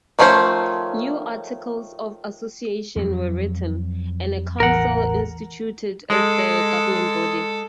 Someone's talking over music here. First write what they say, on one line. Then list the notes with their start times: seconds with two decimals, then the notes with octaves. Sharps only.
New Articles of Association were written, and a Council instituted as the governing body.
0.19 D#3 F3 A3 C#4 C5
2.96 F2 F#3
4.60 A1 E2 A#4 F#5
6.10 G#3 A4